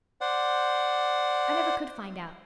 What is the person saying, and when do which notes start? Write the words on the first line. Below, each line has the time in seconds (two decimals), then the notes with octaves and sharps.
I never could find out.
0.21 C5 D5 F#5